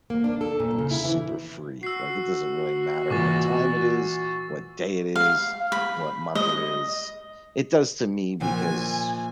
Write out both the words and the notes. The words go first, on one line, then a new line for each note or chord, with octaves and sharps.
like, super free. Like it doesn't really matter what time it is, what day it is, what month it is. It does to me because,
A#3
D4
A4
A#2
C#3
E4
E3
F#4 E6 C7
A#2 E3 C#6 D6 A6
F5
B5
D#5
A#1 G#5